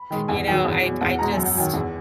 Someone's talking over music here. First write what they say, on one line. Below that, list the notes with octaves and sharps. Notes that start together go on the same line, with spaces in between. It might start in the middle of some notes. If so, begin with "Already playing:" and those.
You know, I'd I just
Already playing: B5
D#3 G#3
E2 G#5
D#3 F#3 G#5
E2
B2 F#3
E2 F#5
B2 G#3 A#5
F#2 G#5
F#5
D#3 F#3 G#5
E2